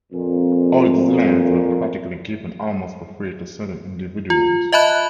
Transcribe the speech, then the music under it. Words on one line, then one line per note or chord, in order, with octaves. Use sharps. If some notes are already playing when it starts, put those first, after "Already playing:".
All these lands were practically given almost for free to certain individuals.
F2 A#2
F4
D#5 E5 A5 B5 F#6